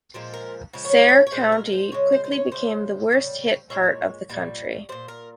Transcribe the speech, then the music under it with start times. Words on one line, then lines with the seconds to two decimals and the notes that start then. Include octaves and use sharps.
Saare County quickly became the worst hit part of the country.
0.14 A#2 F3 G#3
0.34 A#4
0.73 C#3 F3 G#3
0.85 C#5
0.97 C5
1.08 C#5
1.27 C#5
1.32 A#2 G#3 C5
1.52 A#4
1.66 A#4
1.72 C5
1.92 C#3 G#3 C#5
2.12 C5
2.24 C5
2.31 C#5
2.52 C#3 G#3 C5
3.11 C#3 G3
3.70 A#2 F3 G#3 C#5
4.29 A#2 G3
4.89 A#2 G3 C5
5.08 A#4